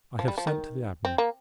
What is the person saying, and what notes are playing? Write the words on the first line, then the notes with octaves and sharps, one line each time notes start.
I have sent to the Admiral.
F3
G3
F3
D#3
C4
A#3